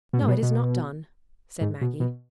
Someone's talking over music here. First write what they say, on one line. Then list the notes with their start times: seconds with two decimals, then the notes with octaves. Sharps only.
"No, it is not done," said Maggie.
0.13 B2
0.21 G#2
0.28 B2
0.43 B2
1.61 G#2
1.81 B2
2.00 B2